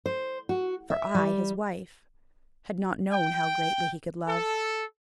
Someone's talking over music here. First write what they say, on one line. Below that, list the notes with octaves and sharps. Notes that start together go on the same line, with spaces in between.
For I, his wife, had not known how greatly he could love.
C5
F#4
E5
G3
G5
A4